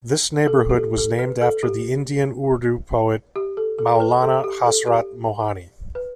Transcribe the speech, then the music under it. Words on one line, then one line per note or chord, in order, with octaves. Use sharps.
This neighbourhood was named after the Indian Urdu poet Maulana Hasrat Mohani.
A4
G4
A4
A4
B4
A4
G4
G4
A4
A4
A4
B4
A4
G4
A4
G4
B4